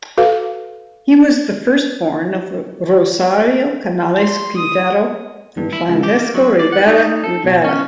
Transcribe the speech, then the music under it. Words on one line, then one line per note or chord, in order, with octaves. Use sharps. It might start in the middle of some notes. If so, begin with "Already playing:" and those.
He was the firstborn of Rosario Canales Quintero and Francisca Rivera Rivera.
F#4 A4 B4 F5
C6
D#6
G2
E4
C#2
G4
A#3
F#3
D5
F#5
D#4
A4
B2
C#4